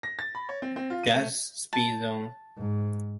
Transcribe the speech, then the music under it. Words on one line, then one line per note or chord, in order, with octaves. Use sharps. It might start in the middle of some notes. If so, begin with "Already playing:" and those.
That's "Speed Zone".
A#6
A6
B5
C#5
C4
C4
F4
D#7
A3
A5
G#2